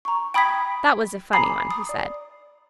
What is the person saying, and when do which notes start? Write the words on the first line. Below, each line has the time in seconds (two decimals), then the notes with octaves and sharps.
"That was a funny one," he said.
0.05 A#5 C#6
0.34 G5 B5 D#6 G#6 B6
1.33 G#5 A#5 B5 D6 D#6 C7
1.71 D#6
1.89 D5